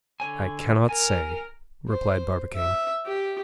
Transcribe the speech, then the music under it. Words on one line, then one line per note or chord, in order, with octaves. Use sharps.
"I cannot say," replied Barbicane.
D3 C#5 G#5
A#4 G#5
C5
E5
G4